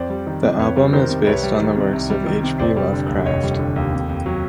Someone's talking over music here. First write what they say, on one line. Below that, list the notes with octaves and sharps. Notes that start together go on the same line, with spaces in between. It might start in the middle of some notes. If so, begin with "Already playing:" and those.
The album is based on the works of H. P. Lovecraft.
Already playing: F2 C5 D5
G3
D#3
C3
F2 B4 C#5
G3
D#3 A#4 C5
C3
C2 B4 C#5
G3
D#3
C3
C2
G3
D#3
C3
F1 C5 D5
G3
D3
D#2
F1 C#5 D#5
G3
D3
D#2
F2
F2
F#3